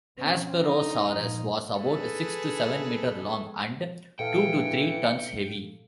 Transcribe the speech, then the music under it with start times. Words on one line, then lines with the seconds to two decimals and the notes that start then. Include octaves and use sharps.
"Hesperosaurus" was about six to seven metres long and two to three tonnes heavy.
0.19 B2 C4 C#4
0.59 D#4
1.16 A#2 F3
1.78 G#4 A4 B4
4.19 A#2 E3 A4 F5 G5 C#7